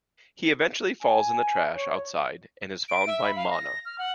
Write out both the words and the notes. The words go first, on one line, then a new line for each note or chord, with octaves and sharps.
He eventually falls in the trash outside and is found by Mana.
G#5
C#5
D7
E5
B5
F5
A#6
F6
F#5